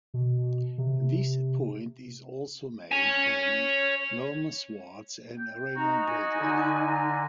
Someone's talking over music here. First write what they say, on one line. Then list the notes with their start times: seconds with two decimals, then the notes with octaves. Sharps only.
This point is also made by Norman Swartz and Raymond Bradley.
0.14 B2
0.78 C3
2.92 C#5 G#5
5.38 G5
5.75 D#4 F#4 A#5
6.05 F#4 G#5
6.39 D3
6.84 A#5